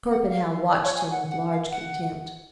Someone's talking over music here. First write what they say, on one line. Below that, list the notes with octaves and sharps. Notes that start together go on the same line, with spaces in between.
Torpenhow watched him with large contempt.
F#5
F5
D5
C#5
G#5
F#5
F#5
F5
F#5